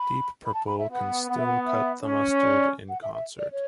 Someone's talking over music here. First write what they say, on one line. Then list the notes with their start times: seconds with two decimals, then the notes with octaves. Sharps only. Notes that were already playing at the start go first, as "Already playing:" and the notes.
Deep Purple can still cut the mustard in concert.
Already playing: B5
0.46 B5
0.54 A5
0.67 B5
0.79 E5
0.92 B3 F#5
1.29 B3 F#5
1.38 E5
1.46 F#5
1.66 E5
2.02 C#4 C#5
2.40 D5
2.89 F#5
3.02 E5
3.14 E5
3.39 D5
3.52 C#5